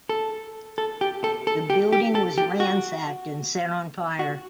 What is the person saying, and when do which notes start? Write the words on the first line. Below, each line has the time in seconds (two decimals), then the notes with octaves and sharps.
The building was ransacked and set on fire.
0.09 A4
0.78 A4
1.01 G4
1.24 A4
1.47 A4
1.70 G4
1.93 G4
2.15 A4
2.38 G4
2.60 F#4
4.19 F#4